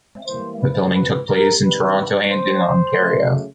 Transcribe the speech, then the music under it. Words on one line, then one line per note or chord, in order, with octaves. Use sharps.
The filming took place in Toronto and in Ontario.
E3 G3 A#3 C5
B4
B4
A#4
C3 D#3 G3 B4
C5
C#3 F#3 A3